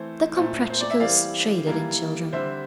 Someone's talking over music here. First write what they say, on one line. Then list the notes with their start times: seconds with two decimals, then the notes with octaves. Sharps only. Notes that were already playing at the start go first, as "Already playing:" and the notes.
The Comprachicos traded in children.
Already playing: E3 A3 C4 C5
0.35 A#2 A3 C4
0.70 C5
0.81 D5
0.91 E5
1.00 E3 G3 C4 D5 F5
1.67 E3 G3 A#3
2.33 D3 G3 C4 C5 E5